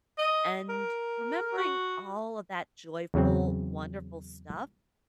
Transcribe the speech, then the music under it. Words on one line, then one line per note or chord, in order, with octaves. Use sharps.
and remembering all of that joyful, wonderful stuff
D#5
A#4
F#4
E2 C#3 F#3 C4